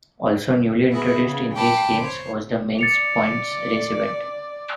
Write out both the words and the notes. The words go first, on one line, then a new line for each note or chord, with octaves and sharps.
Also newly introduced in these Games was the men's points race event.
B3 E4 F#4 G#4
C#3 G#4
G5 A5 B5 D6
C5 C#5
D5 A6 C#7 F7